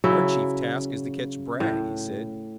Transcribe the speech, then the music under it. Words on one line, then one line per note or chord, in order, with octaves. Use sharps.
"Our chief task is to catch Bragg," he said.
C#3 F#3 E4
A2